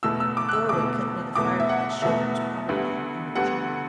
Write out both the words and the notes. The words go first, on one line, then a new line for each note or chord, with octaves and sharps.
A doorway cut near the fireplace showed there was probably an inner chamber.
E2 B2 A3 E6
E6
D6
F#6
E6
E2 B2 A3 D6
E2 B2 A3 D6
E5
F#5
E2 B2 A3 E5
D2 D3 G3 B3
D2 D3 G3 B3 F#5